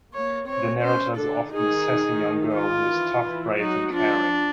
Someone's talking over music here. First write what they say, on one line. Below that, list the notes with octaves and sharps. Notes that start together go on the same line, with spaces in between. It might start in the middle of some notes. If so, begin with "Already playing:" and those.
The narrator is often a sassy young girl who is tough, brave, and caring.
A#3 C#5
C4 C#5
C#4 C5
D3 D4 A4
D#3 D#4 G#4
F4
E3 E4
E3 E4
F#3 D#4 F#4
F3 D4 F4